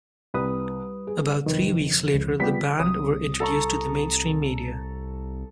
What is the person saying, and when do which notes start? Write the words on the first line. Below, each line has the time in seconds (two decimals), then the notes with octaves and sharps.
About three weeks later, the band were introduced to the mainstream media.
0.34 C2 G3 B4 D#6
1.07 G#4
1.46 F1 D#3 B4
2.14 C#2
2.40 F3 G3 B3 G4 B6
2.79 C2 D#6
3.40 A4 A#5 C#6